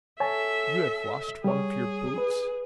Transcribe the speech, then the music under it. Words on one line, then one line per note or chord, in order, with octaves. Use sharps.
"You have lost one of your boots?"
A4 C#5 E5 G#5 A5
G3 G#4 C#5
B4